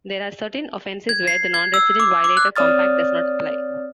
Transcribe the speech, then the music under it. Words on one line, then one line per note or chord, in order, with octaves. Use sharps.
There are certain offenses where the Non-Resident Violator Compact does not apply.
G#6
C7
G#6
E6
D6
D6
F#6
C4 C#5 D5 D#6 F6 A6